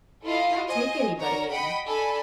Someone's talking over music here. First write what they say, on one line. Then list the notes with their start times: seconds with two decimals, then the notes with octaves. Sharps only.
They'll take anybody in.
0.25 E4 F4 A4 D#5 F5
0.67 C5 D#5 G#5
1.20 F#4 A#4 C#5 D5 A#5
1.50 D#5 F#5 G5 B5
1.86 D4 A4 G#5 B5